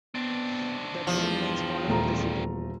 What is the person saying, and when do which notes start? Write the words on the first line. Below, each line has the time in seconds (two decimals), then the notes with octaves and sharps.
The name means "father of the city".
0.15 B3 C4 D4
1.07 E2 F3
1.88 D#1 A3 A#5